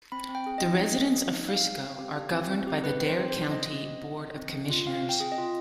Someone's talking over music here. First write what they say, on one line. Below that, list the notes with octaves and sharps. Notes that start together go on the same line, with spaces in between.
The residents of Frisco are governed by the Dare County Board of Commissioners.
C4 B5
C4
G5
G#4
D#4 D#5
C4
C4
G#4
D#4
G4 F5
C4
C4
G4
G4
C4
C4
G4
C4 B4
C4
C5
G4
C5
D#4
C4 D#5
C4
G4
D#4
C4
C4
G#4
F4
C4 F5
C4
G5
G#4
D#5
F4